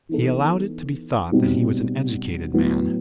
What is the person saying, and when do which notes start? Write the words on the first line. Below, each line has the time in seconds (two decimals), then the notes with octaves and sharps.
He allowed it to be thought that he was an educated man.
0.09 E3 B3 D#4 A4
1.32 B2 G3 C4 D#4
2.54 A2 F#3 B3